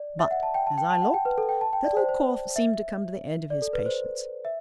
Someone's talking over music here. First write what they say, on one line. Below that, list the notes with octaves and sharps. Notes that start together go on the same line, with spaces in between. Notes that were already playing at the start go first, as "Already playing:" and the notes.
But as I looked little Kauf seemed to come to the end of his patience.
Already playing: D5
E5
F#5
A5
G5
A5
G5
A5
F#5
G5
B4
A4
G5
A5
G5
D5
C5
C5
E5
D5
A4
B4
C5
E5